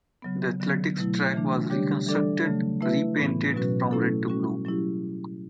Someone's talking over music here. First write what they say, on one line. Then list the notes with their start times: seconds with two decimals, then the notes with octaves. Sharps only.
The athletics track was reconstructed, repainted from red to blue.
0.22 C#3 F#3 B3
0.60 D3 F#3 B3
0.97 B2 F#3 A3 E4
1.33 C#3 E3 A3 D4
1.70 D3 G3 D4 G4 C#5
2.07 E3 G3 D4 A4 D5
2.45 C#3 F#3 A3
2.81 A3 E4 B4 E5
3.17 A2 E3 B3
3.54 B2 F#3 C#4 F#4 B4
3.91 F#3 A3 C#4 E4 A4
4.28 G3 C#4 F#4
4.65 F#3 C#4 E4 G4